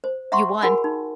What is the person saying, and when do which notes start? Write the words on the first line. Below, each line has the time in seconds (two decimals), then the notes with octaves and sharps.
You won.
0.04 C5
0.32 E5 F#5 A#5 C6 C#6
0.62 F#4 G#4 A#4 F#5 G#5 B5
0.84 D#4